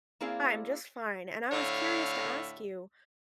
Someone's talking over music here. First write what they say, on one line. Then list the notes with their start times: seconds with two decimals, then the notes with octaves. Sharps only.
I'm just fine, and I was curious to ask you,
0.21 A#3 C4 E4 G#4 D5 F5
1.52 A2 D3 C#5 E5 F5